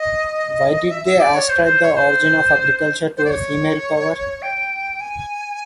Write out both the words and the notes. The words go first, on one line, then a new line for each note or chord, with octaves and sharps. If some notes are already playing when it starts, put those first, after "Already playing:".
Why did they ascribe the origin of agriculture to a female power?
Already playing: D#5
E5
E5
D5
C#5
C5
C5
C#5
C#5
C5
C5
D5
C#5
G5
G#5